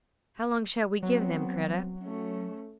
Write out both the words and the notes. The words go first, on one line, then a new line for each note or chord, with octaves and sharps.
"How long shall we give them, Kreta?"
F#3 B3 C4
A3 C#4